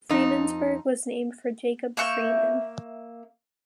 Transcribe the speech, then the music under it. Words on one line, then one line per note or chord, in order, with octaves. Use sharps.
Freemansburg was named for Jacob Freeman.
F2 D#4
A#3 E5 C#6 G6